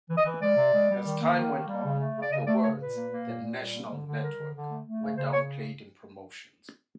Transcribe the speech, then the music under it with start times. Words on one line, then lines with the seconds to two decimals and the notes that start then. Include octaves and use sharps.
As time went on, the words "The National Network" were downplayed in promotions.
0.09 E3
0.16 D#5
0.25 E3
0.40 G#3 D5
0.56 C3
0.73 G#3
0.89 G3
1.04 D#3
1.20 A#3
1.36 D#3
1.51 A#3
1.67 G3
1.84 C#3
1.99 A3
2.15 C#3
2.21 D5
2.30 C#3 D#5
2.47 A3 D5
2.62 C#3 C#5
2.78 A#2 B4
2.95 A#3
3.10 A#3
3.26 A#2
3.42 A#2
3.58 G3
3.73 A#3
3.90 D3
4.05 D3
4.21 G3 A#4
4.37 D3
4.53 D3
4.69 A3
4.84 A3
5.00 C#3
5.16 C#3 C5
5.32 C#3 C#5